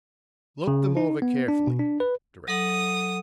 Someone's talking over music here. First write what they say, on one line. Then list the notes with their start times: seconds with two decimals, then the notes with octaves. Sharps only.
"Look them over carefully," directed he.
0.67 C#3
0.97 D#4
1.22 B3
1.48 D4
1.67 B2
1.80 D4
2.00 B4
2.48 F#3 A4 F#5 D#6